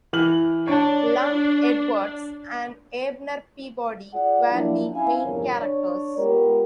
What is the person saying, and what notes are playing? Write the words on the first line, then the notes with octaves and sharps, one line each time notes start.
"Lum Edwards" and "Abner Peabody" were the main characters.
E3 F6 F#7
D4 C#5 A5
F4 G#4 D5 F#5
F3 F#3 A#3 D4 E4
C#4 E4 F5 G#5
G1 E2 C3 F3 A#4 C#5
D4 C#5 D5
G#3 B3 F4 G4 A#4